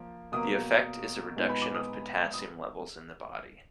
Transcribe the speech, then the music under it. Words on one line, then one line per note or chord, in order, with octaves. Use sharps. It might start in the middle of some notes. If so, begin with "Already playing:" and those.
The effect is a reduction of potassium levels in the body.
Already playing: F3 A#3
B2 F#3 A#3 D#6
A#2 G#3 B3 D#4
B5
D6
D#6
D#6